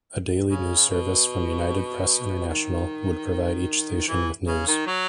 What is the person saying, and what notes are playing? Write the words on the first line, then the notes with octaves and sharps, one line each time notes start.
A daily news service, from United Press International, would provide each station with news.
C#3
B2
D#3
E3
C#3
D#3
F#3